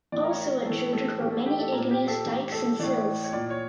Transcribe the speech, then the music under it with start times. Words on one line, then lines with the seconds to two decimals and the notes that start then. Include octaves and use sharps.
Also intruded were many igneous dikes and sills.
0.12 A2 E3 D5
0.24 A#4
0.30 C#5
0.47 A#4
0.65 A2 A4
0.70 E3
0.93 A4
1.19 A2 E3 G4
1.32 A4
1.46 G4
1.59 A4
1.72 A#2 A#4
1.91 G4
2.08 A4
2.25 A2 E3 G4
2.52 A4
2.79 A2 E3 D5
3.24 C#5
3.33 A#2 D5
3.50 C#5